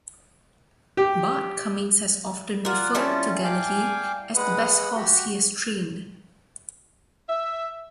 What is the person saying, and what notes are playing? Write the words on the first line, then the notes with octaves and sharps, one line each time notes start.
Bart Cummings has often referred to Galilee as the best horse he has trained.
G4
F4 A#4 D5 F#5
G3 C#4 E4 A5
F5 G5 G#5 D6
G#3 B4 F#5 D#6
F#4 G4
E5